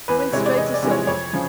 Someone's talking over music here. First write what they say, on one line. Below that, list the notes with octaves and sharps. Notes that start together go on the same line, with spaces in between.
He went straight to Sonia.
E2 B4
B4
C3 E3 G#3 C#5
D5
E2 D#5
D5
C3 E3 G#3
C#5
F2 C#5
C#3 F3